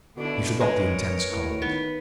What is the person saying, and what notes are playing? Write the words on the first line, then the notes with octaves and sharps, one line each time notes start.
He forgot the intense cold.
B2 D3 D4 E4
G#3 A#4 B4 C#5
A2
D#3 B3